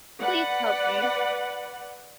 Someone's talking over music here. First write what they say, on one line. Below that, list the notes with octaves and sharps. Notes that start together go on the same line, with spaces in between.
Please help me.
B4 D5 F#5